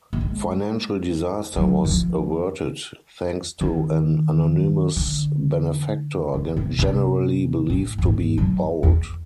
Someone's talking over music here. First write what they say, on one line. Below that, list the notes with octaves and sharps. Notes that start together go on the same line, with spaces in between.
Financial disaster was averted thanks to an anonymous benefactor, generally believed to be Boult.
A3
G#3
F#3
E3
F3
D#3
D3
C#3
C3
C3
A2
G2
G#2
F#2
E2